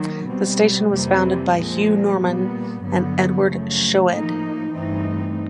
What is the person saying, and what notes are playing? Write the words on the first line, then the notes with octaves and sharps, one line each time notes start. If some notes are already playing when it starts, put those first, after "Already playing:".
The station was founded by Hugh Norman and Edward Schoede.
Already playing: D#3 F#3 A#3
B2 G3 C4
F2 C3 E3 G3 A#3
A#2 F3 G#3 C4
A#2 G3 B3
G2 D3 F#3 B3
F#2 C#3 F3 A3
A2 F3 A#3 D#4
G2 E3 A3 C4 D#4